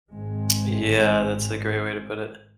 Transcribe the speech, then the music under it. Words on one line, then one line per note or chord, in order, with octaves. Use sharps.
Yeah, that's a great way to put it.
G#1 D#3 G#3 C4